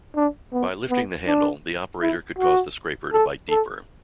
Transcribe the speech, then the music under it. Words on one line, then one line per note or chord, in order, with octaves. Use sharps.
By lifting the handle, the operator could cause the scraper to bite deeper.
D4
B3
B3
D4
E4
F#4
A4
A4